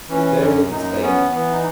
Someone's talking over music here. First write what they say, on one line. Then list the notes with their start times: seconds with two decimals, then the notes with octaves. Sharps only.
He is buried in Spain.
0.09 E3 C#4
0.40 F#2 C#4
0.71 F#2 D#4
1.02 B3 C#4
1.32 E3 B3
1.52 D#4